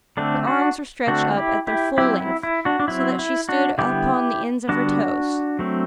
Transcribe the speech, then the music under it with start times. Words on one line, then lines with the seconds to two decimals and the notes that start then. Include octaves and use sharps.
Her arms were stretched up at their full length, so that she stood upon the ends of her toes.
0.17 D3 A3 C4 D4
0.47 D4 F#4
1.07 D3 A3 C4 D4 F#4
1.37 E4 G4
1.67 E4 G4
1.98 F#3 C4 E4 G4
2.20 E4
2.43 E4
2.65 D4 F#4
2.80 D4
2.88 F#3 C4 E4
3.19 E4
3.49 D4 F#4
3.78 D3 G3 B3 E4 G4
4.69 D3 G3 B3 D4 F#4
5.59 F#3 A3 C4